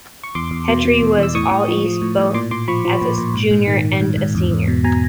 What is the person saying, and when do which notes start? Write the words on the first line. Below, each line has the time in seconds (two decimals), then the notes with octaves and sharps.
Petrie was All-East both as a junior and a senior.
0.23 C#6
0.35 E2 C6 D6
0.51 E2
0.68 B2
0.85 B2
1.02 E2
1.18 E2 E6
1.35 A2 C#6 D#6
1.51 A2
1.68 F3
1.85 F3
2.02 A2
2.18 A2
2.34 A#2 C6 D6
2.51 A#2 C6 D6
2.68 F3 B5 C#6
2.85 F3
3.01 A#2
3.18 A#2
3.34 G#2
3.51 G#2
3.67 D#3
3.85 D#3
4.01 G#2
4.17 G#2
4.35 E2
4.51 E2
4.68 B2
4.84 B2 G#5 A#5